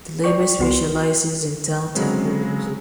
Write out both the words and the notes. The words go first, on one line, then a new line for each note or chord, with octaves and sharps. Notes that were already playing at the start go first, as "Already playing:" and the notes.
The label specializes in downtempo music.
D5 G5 C#6
C2 B3 F#4 C6
C#3 F#3 G#3 C4